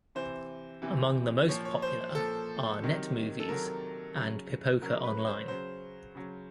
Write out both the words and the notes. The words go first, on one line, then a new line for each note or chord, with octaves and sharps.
Among the most popular are NetMovies and Pipoca Online.
C3 E3 C5
C3 E3
A#2 F3 C#5
C#5
C5
A#2 F3 A4
C3 D#3 F#3
A4
C3 D#3 F#3 A#4
C#3 F#3
C#3 F#3 A#4
B4
C#5
C5
C#3 F#3 C5
C#3 F#3